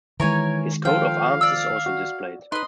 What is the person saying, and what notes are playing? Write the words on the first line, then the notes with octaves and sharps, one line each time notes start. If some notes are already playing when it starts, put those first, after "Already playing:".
His coat of arms is also displayed.
D#3 E3 G#3 A#4 C#5 G#5
F3 F4 A4 F5 G5
D5 E6
F#4
D#4 B4 D#5 C6